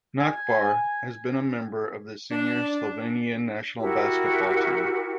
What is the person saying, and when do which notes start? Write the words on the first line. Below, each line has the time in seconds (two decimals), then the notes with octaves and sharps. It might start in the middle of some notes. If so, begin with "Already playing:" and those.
Nachbar has been a member of the senior Slovenian national basketball team.
0.19 G#5
2.31 D4
3.80 E4 F#4 G4 A#4